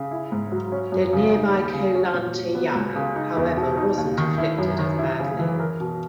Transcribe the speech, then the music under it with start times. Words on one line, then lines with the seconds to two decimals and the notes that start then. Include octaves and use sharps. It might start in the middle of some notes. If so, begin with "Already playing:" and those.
The nearby Ko Lanta Yai, however, wasn't afflicted as badly.
Already playing: C#3
0.11 E4
0.32 G#2
0.52 F#3
0.72 C#4
0.92 F#2
1.13 C#3
1.33 D#4
1.53 D#2
1.73 C#3
1.94 C#4
2.14 A#2
2.34 F#3
2.55 B3
2.75 C#2
2.96 C#3
3.16 D#4
3.36 E2
3.57 B2
3.77 D#4
3.97 D#2
4.18 D#3
4.38 E4
4.58 F#2
4.79 D#3
4.99 E4
5.19 C#3
5.39 E3
5.59 A#4
5.80 B2